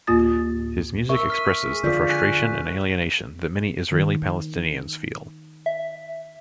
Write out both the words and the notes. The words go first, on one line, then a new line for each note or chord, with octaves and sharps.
His music expresses the frustration and alienation that many Israeli-Palestinians feel.
D2 A2 A#3 F4 D#6 A6
A#4 E5 C#6
F6 B6 D#7
G#4
D3 F4 D5 G6 B6
G#5 F#6 D#7
D#3
E5